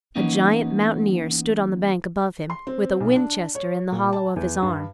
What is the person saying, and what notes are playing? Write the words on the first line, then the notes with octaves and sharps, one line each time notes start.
A giant mountaineer stood on the bank above him, with a Winchester in the hollow of his arm.
E3 A#3 B3 C#4 D#4
C6
C4
B1
D4
C#5
A#2
A5
E2
G2